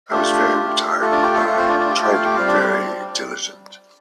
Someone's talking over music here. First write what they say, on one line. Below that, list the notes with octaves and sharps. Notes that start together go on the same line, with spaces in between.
I was very retired and quiet, and tried to be very diligent.
A3 D4 F4 G4
A3 F4
A3 F4 A4
D4 D5
G4 G5
A4
A3 F4 A4
C4 C5
D4 D5
D4 D5
A3 F4 G4 G5
G4 G5
F4 F5
G4 G5
G3 C4 F4 F5
D4 D5